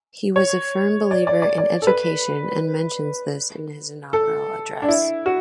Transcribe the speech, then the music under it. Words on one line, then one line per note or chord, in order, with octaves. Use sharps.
He was a firm believer in education and mentions this in his inaugural address.
C#5
D5
D5
D5
D5
A4
B4
A4
D4
E4
F#4